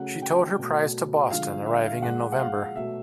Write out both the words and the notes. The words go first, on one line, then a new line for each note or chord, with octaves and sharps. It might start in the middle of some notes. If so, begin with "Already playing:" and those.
She towed her prize to Boston, arriving in November.
Already playing: C#3 F#3 A3 F#5
G5
B2 F#3 A3
D3 F3 G#3 F5
E5
F5
A#2 F3 G#3 F#5
F#5
F5
B2 F#3 A3 E5